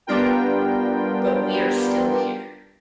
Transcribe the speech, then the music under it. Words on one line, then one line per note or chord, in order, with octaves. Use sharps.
But we are still here.
G3 B3 D4 F4 A#4 G5